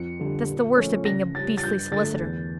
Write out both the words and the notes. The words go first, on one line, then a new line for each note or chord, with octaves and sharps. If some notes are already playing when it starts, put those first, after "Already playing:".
That's the worst of being a beastly solicitor.
Already playing: F2 C#7
D3 G3
A#2
F3 A3 C#4
C#3 A#6
G3 C#4 A6
A6
G2 G6
D3 A3 A6
E2